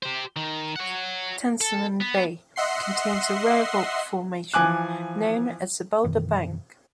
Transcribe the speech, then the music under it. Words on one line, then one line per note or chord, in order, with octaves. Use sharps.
Tasman Bay contains the rare rock formation known as the Boulder Bank.
G4 C5
D#3
C#5 F#5
A4
B3
D#5 E5 F#5 C6 C7
E3 F3 G#5 D6 F#6
F#2 B2 D#3 E3